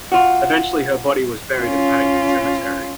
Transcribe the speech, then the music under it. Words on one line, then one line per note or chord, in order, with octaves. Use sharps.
Eventually her body was buried in Paddington cemetery.
F4 F#4
C#4 F4